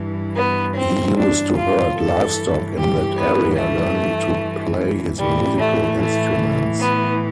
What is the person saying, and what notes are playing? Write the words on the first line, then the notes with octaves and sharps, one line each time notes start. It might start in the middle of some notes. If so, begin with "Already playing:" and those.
He used to herd livestock in that area, learning to play his musical instruments.
Already playing: G2 E3
B3
C4
D4
F4
G2 E3 A4
G4
B3
A3
A2 E3 G3
A3
A3
B3